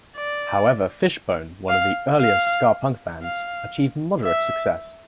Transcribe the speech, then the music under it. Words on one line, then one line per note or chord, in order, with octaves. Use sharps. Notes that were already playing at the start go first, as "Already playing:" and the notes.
However, Fishbone, one of the earliest ska punk bands, achieved moderate success.
D5
F5
F5
F5
E5